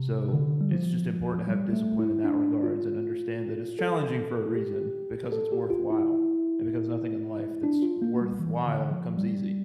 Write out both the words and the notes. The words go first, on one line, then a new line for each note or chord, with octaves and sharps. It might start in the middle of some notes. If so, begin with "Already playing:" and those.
So, it's just important to have discipline in that regards and understand that it's challenging for a reason because it's worthwhile, and because nothing in life that's worthwhile comes easy.
Already playing: C3
D3
G3
F3
G3
A3
E4
D4
F4
A4
G4
A4
G4
F4
E4
D4
F4
A#3
G3
E3
D3
F3
G3